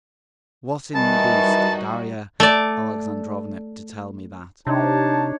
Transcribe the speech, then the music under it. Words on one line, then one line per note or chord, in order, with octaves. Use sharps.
What induced Darya Alexandrovna to tell me that?
D#3 E3 G3 D#4 F#4 A5
A3 D5
C3 D4 D#4 C#5 A5